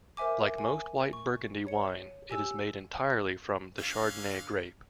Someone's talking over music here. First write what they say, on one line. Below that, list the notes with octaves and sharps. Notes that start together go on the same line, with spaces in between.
Like most white Burgundy wine it is made entirely from the Chardonnay grape.
A#4 C5 E5 G#5 D6
G#5
C#6
C#5 C#7
G4 G#5 E6
D3 C#4 F5